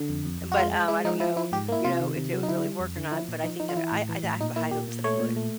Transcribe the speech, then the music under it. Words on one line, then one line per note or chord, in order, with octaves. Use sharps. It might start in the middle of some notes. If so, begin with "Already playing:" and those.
But, um, I don't know, you know, if it would really work or not, but I think that I I I have the high hopes that it would.
Already playing: D3
F2
F2
F2
F#4
G#3 F4
G#3
G#3 E4
F3 D#4
F3 E4
F3 E4
G#2 G4
A#3 E4
C3 F4
D#3
C3
F#3
D#4
D3 E4
G3
F2
D3
F3 E4
A#2
F3 D#4
F3 D#4
F4
E3 E4
A2
E3
A2
A#2 D#4
A#3 E4
A#2 G4
A#2
A3 C#5
A#2
A3